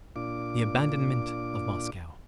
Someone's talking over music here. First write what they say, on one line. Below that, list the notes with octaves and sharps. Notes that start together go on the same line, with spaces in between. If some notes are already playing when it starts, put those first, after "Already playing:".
"The abandonment of Moscow."
A#2 D4 F4 D6